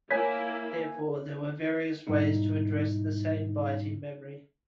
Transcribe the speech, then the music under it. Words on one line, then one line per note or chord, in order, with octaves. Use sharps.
Therefore, there were various ways to address the same byte in memory.
A#3 E4 C#5 G#5 B6
G#2 B2 G3 D#4 E4